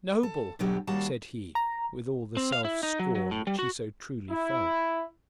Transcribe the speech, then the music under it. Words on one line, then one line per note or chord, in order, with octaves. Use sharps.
'Noble!' said he, with all the self-scorn which he so truly felt.
A4
B2 D3 F#3 G4
D#2 G3 F#4 F5 A5
A#5
C4
F5
E4
D#4
F#3
F#3
A2
G3
F#4
E4